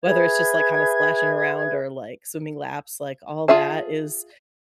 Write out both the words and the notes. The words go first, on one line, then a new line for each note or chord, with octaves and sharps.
whether it's just, like, kinda splashing around or, like, swimming laps, like, all that is
G#4 B4 E5 G#6
F4 G#4 E5 A5